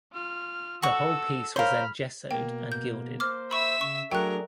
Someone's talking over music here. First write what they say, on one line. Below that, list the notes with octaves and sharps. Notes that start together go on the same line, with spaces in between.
The whole piece was then gessoed and gilded.
F4 F6
F#4 A4 C#6 E6
A#4 C5 C#5 F5 B5 F6
B2 A#3 G5
G6
C5 D6 F6
E5 B5 C#6 E6
C#3 C#6
F#3 A3 D4 G#4 A#4 G5 C#6 F#6